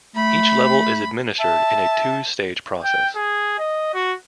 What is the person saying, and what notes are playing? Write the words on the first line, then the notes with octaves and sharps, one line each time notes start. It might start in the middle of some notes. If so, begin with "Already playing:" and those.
Each level is administered in a two-stage process.
A3 B5
E5 A5
G5
G#4
D#5
F#4